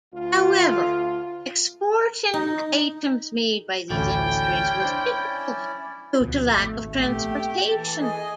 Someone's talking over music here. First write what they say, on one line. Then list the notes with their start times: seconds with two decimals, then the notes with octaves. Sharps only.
However, exporting items made by these industries was difficult due to lack of transportation.
0.14 D2 F4
2.34 D#4
3.90 A1 D2 A3 C#4 E4 D5 G5
4.81 D4 C5
6.20 D2 B2 F3
6.55 G#1 A3
6.96 A#1 A3 B3 C4 G4
7.29 A#3 G5
7.69 E3 A4
8.01 G#4 D#5 G#5